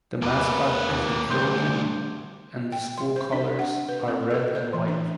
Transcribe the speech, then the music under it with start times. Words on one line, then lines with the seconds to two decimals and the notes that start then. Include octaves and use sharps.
The mascot is the Trojan and the school colors are red and white.
0.22 E2 A#3 B4
0.89 D#2
1.30 D2 G2 C6 D6 G6
2.72 G5
2.98 C6
3.16 C5
3.32 D4
3.59 F#5
3.89 B4
4.08 C4
4.31 A4
4.55 C5
4.73 E3
4.88 D4